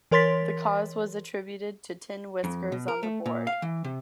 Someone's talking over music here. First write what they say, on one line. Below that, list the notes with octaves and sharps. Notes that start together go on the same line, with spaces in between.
The cause was attributed to tin whiskers on the board.
E3 A#4 C#5 C6 A6 B6
F2
B2
A#4
A3
A#2
F5
E3
C3